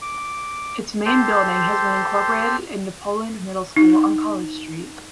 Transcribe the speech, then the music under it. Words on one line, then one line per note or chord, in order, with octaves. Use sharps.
Its main building has been incorporated into Poland Middle School on College Street.
D6
G4 A4 C5 C6
D#4